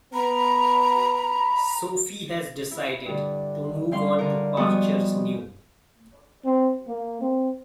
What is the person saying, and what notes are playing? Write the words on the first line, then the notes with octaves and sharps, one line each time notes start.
Sophie has decided to move on to pastures new.
B3 A#5 B5
E4
G2 D3
G3 C#4 F5 C6
D3 A#4
G#2 F3 G3 B3 F#4 D#6
C4
A#3
C4